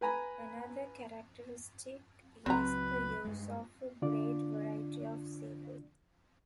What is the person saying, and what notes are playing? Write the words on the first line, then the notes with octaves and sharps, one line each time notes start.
Another characteristic is the use of a great variety of seafood.
B4 G#5 A#5 B5
C#2 F#3 C4 B4 A#5
G2 G#3
D3 D4 F4 D5